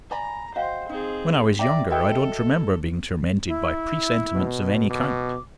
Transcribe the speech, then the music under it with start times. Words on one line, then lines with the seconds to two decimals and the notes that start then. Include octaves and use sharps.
When I was younger, I don't remember being tormented by presentiments of any kind.
0.11 D5 G#5 A#5 B5
0.56 F#4 C5 D#5 F5 G5
0.89 C4 D#4 G#4
1.59 D5 E5 G5 A#5 A#6
1.90 F#4 A4 D#5 E5 G5
3.47 E4
4.35 B2
4.90 B2 D6